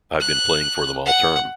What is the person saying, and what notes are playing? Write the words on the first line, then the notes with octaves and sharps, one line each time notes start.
I've been playing for them all term.
F#6
F#5